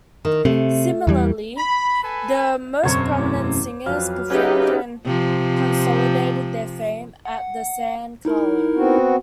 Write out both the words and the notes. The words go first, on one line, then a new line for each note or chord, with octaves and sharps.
Similarly the most prominent singers performed and consolidated their fame at the San Carlo.
D#3
C3 A3
E2 E3 G3
B5
A4 B4 G#5 B5
E1 F#2 C4 C5 C#5 C#6
A1 D6
F2 F#3 B4 F5
C#3 D#4 F#4 G4 B4 E5
C3 F3
F#5
D#4 E4 A#4
B3 C4 F#4